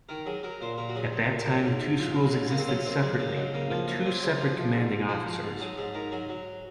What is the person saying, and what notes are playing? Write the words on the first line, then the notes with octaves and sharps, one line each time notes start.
At that time the two schools existed separately with two separate commanding officers.
D#3 A#4
F#3 G#4
F#3 A#4
A#2 C5
A#2 A#4
F#4
F#3 G#4
F#3
A#2
F#3
G#2
G#2
F#3 F4
F#3
G#3
G#2
C#3 A#3
C4
F#3 C#4
F#2 C4
F#2 G#3
C#3 A#3
F#3 G#3
C#3 A#3
F3 A#3
F#2 A#3
F#2 C4
C#3
F3
F3
G#2
G#2
F3 F#4
F3
G#2
F#3 G#4
G#2 G#4
G#2 A#4
F#3 G#4
F#3